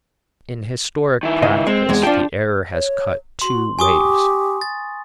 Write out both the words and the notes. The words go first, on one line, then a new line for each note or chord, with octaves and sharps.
In historic practice the error has cut two ways.
D#3 E4
C#2 D#5 F5
G#3 C4
E2 G#3
F3 D4 G5
C#5
F#4 C6
G4 G#5 C#6 D#6
A6